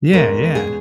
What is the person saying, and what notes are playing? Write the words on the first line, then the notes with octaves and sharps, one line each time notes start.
Yeah. Yeah.
E2 B2 G#3 C#4 A#4
G#4